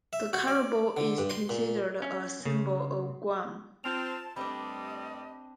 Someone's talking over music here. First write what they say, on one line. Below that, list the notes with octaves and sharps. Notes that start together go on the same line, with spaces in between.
The carabao is considered a symbol of Guam.
E5
F#4
D5
D3
G2
C6
A#2
C#4
C#3
C4 F4 A5 F6 F7
G2 G3 A3 C4 D4 D#5 B5